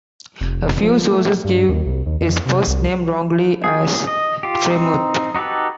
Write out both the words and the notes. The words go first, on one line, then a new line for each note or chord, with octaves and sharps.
A few sources give his first name wrongly as "Freimuth".
F1
F3
A3
G2
D#2
C2
D#2
F2
C3
C2
G#4
D#5
F4 G4
C4 D#4
D#4 F#4 G4 A4 B4